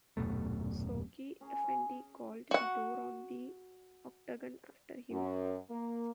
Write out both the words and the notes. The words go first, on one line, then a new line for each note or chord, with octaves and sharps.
Shoghi Effendi called the door on the octagon after him.
D#1 F#2 B2 A3
C#4 G#4 A#5
C#4
F#4 F#5
F#2
A#3